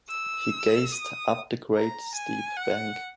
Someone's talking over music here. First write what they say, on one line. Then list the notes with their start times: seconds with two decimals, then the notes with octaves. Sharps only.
He gazed up the great steep bank.
0.09 E6
0.92 D#6
1.75 A#5
2.15 G#5
2.57 F#5